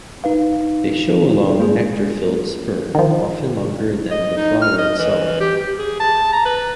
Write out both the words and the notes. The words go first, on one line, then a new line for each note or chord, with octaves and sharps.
They show a long, nectar-filled spur, often longer than the flower itself.
D#4 B4 F5
G#3 A#3 F4 G#4
D#3 F3
D#5
D#4
F6
D#5
E3
G4
G4
G#4
A5
A#5
B4